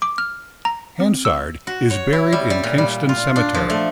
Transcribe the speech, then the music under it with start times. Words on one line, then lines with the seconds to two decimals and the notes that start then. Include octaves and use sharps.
Hansard is buried in Kingston Cemetery.
0.02 D6
0.18 F6
0.65 A#5
1.00 C4
1.25 E6
1.67 F#4
1.90 C#5
2.13 E4
2.32 G3
2.50 G3
2.63 A#2
2.78 G3
3.09 F4
3.36 D4
3.54 F3
3.70 A3